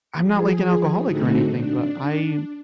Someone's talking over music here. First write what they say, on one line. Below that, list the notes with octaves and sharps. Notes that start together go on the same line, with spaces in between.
I'm not like an alcoholic or anything, but I
F3 G#4
A2 D3 A3 C4 D#4 F#4
D4